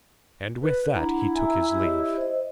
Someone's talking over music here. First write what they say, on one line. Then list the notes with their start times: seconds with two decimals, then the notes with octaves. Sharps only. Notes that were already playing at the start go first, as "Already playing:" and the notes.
And with that he took his leave.
0.62 B4
0.94 D4 E4 F#5 A#5
1.35 E5 G#5 A#5
1.76 G4 C#5 D#5
2.17 C5 D#5